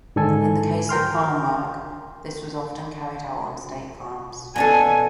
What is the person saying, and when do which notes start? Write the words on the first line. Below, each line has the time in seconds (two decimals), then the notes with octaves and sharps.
In the case of farm work, this was often carried out on state farms.
0.16 G#2 D3 D#3 A4 G#5
0.89 A#4 G5 C6 F6
4.56 B2 D4 A4 G#5